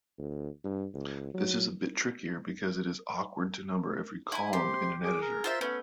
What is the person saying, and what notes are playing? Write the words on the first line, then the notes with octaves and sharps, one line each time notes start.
This is a bit trickier because it is awkward to number every column in an editor.
D2
G2
C#2
F#3
E4 G#5
C3 G4 C6
G#4 D6
A#4
F4 C5 E5
A3 B3 C#4